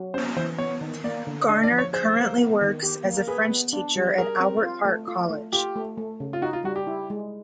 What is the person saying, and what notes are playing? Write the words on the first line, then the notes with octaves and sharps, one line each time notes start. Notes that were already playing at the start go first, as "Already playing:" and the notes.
Garner currently works as a French teacher at Albert Park College.
Already playing: F#3
C#4 C5
E3 C5
B3 C#5
D#3
A#3 D5
D3
D4 D#5
D5
F3
C#5
G#4 C5
A#3
B3
D#3
G4
A#3
A#4
G#4 B4
B3
D4
G3
G#4 A#4
C4
F4
A3
F4
A3
F4 G4
A3
A3
C#3
F4
D#4 F#4
F4
G3 F#4
G4
E4
G#3